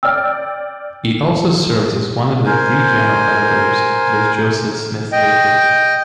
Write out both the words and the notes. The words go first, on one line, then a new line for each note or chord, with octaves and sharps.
He also serves as one of three general editors of the Joseph Smith Papers.
D5 G5 E6 F6
A#4 C5 G#5
D#5 G5